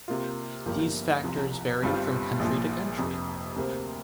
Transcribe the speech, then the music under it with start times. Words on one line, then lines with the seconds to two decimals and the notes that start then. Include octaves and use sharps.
These factors vary from country to country.
0.08 C3 A#3 F4
0.65 G1 G2 F3 A#3 G4
1.24 C2 C3 F3
1.82 G1 G2 G3 C4 F4
2.39 A#1 A#2 F3
2.98 F1 F2 C3
3.56 D2 C3 A#3 G4 C5